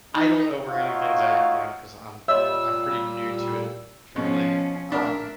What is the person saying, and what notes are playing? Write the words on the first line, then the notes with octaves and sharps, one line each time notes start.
I don't know where anything's at, you know, 'cause I'm I'm pretty new to it fairly, um,
D#4
D#4 F4 F#4 C#5 E5 F5
A#2 G3 C#5 D#5 E5 C6 E6
B2 F3 C#4
D4 A#4 E5